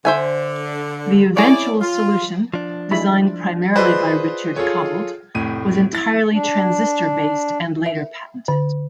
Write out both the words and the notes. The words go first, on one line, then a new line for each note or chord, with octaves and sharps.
The eventual solution, designed primarily by Richard Cobbald, was entirely transistor-based, and later patented.
D3 C5 E5 G#5
E4 G#4 C#5 D5
F4
F3 D4
G#3 E4 B5
F4 G#4 B4 C5 D5 D#5
F4 G#4 A4 C#5
F1 A2 D#7
E4 A6
D4
E5
D3